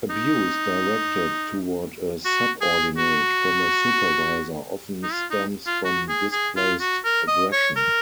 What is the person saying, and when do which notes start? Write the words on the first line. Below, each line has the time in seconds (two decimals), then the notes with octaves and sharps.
Abuse directed toward a subordinate from a supervisor often stems from displaced aggression.
0.10 D#4
2.25 F#4
2.61 G#4
2.98 F#4
5.03 D#4
5.13 F4
5.31 D#4
5.67 F4
5.85 F#4
6.09 G#4
6.32 G#4
6.57 F4
6.81 F#4
7.05 A#4
7.28 D#5
7.53 C#5
7.76 A#4